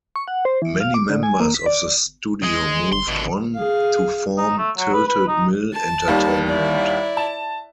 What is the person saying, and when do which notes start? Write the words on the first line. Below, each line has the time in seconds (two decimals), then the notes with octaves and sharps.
Many members of the studio moved on to form Tilted Mill Entertainment.
0.16 C#6
0.28 F#5
0.45 C5
0.62 E3
0.80 F5
0.94 D6
1.10 D3
1.23 G#5
1.40 A#3
1.55 B6
1.66 D5
2.43 G#3
2.92 G1 C6
3.07 G#1 B2 D3
3.55 G#4 F5
4.37 D#4
4.58 A3
4.78 F#3
4.93 B4
5.07 B4
5.28 D#4
5.73 A5
6.08 D#2 D#3 G3
6.48 E4 D5
7.17 A5